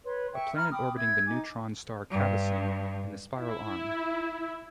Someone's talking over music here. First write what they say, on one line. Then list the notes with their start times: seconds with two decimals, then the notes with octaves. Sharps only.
A planet orbiting the neutron star Cavesson in the Spiral arm.
0.05 B4 C#5 C6
0.33 E5 G5 C#6
0.56 A#5 B5 C#6 F6
0.71 G5 B5 D6 D#6
0.96 E5 E6 G#6
1.27 D#4 G#5 D6
2.11 G2
3.37 E4